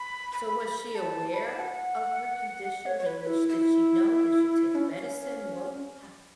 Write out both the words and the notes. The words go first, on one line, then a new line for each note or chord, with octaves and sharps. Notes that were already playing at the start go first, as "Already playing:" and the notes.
So was she aware of her condition? I mean, at least, did she know? Did she take medicine? What ha
Already playing: B5
B5
A5
B5
A5
F#5
C#5
C#5
B4
E4
E4
C#4